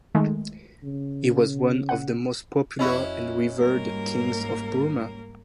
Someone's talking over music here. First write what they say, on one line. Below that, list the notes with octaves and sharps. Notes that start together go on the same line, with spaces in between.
He was one of the most popular and revered kings of Burma.
D#3 G#3 A3
C#3
F#5
F2 C#4 E4 F#4 D#5
G#2 G3 A#3 A#4